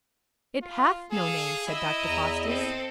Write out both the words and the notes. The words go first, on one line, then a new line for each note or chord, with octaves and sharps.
"It hath no name," said Dr. Faustus.
F4
G#4 A4 F5
E4 D#5 E6
E2 A#5 E6
C4 A4